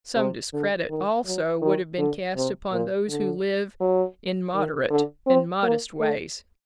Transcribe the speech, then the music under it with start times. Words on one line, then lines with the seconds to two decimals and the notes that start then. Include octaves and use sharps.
Some discredit also would have been cast upon those who live in moderate and modest ways.
0.16 C3
0.53 D3
0.90 D#3
1.26 F#3
1.62 D#3
1.98 D3
2.36 C3
2.72 A#2
3.08 D3
3.81 F#3
4.54 D#3
4.90 D3
5.26 C4
5.63 A#3
6.00 A3